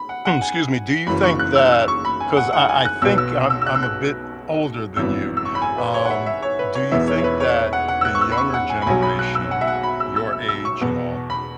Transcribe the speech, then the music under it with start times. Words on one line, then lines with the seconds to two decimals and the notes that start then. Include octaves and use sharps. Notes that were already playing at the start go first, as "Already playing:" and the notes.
'scuse me, do you think that 'cause I I think I'm I'm a bit older than you. Um, do you think that the younger generation, your age and all,
Already playing: B5
0.09 F#5
0.25 F#5
0.42 G#5
1.07 F#1 F#2 E3 B5
1.23 C#6
1.39 F#6
1.55 E6
1.72 E6
1.88 C#6
2.05 B5
2.20 G#5
2.37 F#5
2.53 F#5
2.69 G#5
2.85 F#6
3.02 B1 B2 B3 E6
3.18 E6
3.50 E6
3.61 E6
3.67 F#6
3.75 E6
3.83 F#6
4.96 G#1 F#2 E3 B3 E6
5.37 E6
5.45 C#6
5.55 B5
5.62 G#5
5.78 B4
5.94 C#5
6.05 F#5
6.10 E5
6.26 E5
6.42 C#5
6.59 B4
6.75 C#5
6.91 E1 E2 E3 B3 E5
7.08 C#5
7.18 C#5
7.24 B4
7.40 C#5
7.73 F#5
7.88 F#5
8.01 E6
8.05 F#6
8.15 C#6
8.21 E6
8.32 B5
8.38 C#6
8.54 F#5
8.70 G#5
8.82 B5
8.86 B1 B2 F#3 G#5
9.02 B5
9.19 F#6
9.35 E6
9.51 F#5
9.61 E5
9.67 F#5
9.83 B5
10.00 E6
10.16 E6
10.33 E6
10.49 E6
10.65 C#6
10.81 E2 B2 B3
11.30 B5